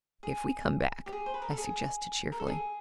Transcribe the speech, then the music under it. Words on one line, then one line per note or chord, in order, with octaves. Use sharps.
"If we come back," I suggested cheerfully.
G#4
G4
G#4
C5
B4
A#4
A4
G#4
A#4
A4
G#4